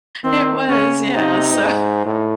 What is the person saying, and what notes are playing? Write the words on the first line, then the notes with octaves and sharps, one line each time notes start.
it was, yeah, so,
D#3 C4
C#3 C#4
C3 D#4
G#2
A2